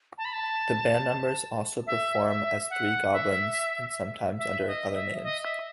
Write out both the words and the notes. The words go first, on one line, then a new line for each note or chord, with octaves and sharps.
The band members also perform as Thee Goblins and sometimes under other names.
A5
B5
A5
E5
E5
F#5
E5
E5
D#5
E5
D#5
E5